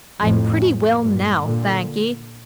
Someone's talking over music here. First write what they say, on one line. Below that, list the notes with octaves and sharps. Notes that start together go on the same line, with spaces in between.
I'm pretty well now, thank ye.
F2 A2
G2 A#2
A#2 D3